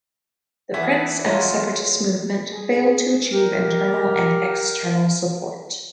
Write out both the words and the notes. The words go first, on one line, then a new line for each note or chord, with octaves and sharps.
The Prince and the separatist movement failed to achieve internal and external support.
E3 B3 G#4 E5 B6
F#3 G#3 F4
G#4
G4 A#4